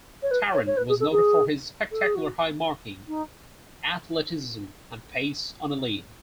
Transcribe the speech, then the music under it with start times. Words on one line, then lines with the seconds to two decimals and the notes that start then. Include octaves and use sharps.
Tarrant was noted for his spectacular high marking, athleticism and pace on a lead.
0.23 C#5
0.31 B4
0.53 C#5
0.67 C#5
0.77 B4
0.89 G#4
1.00 A4
1.12 G#4
1.92 A4
2.03 G#4
2.15 F#4
3.08 D#4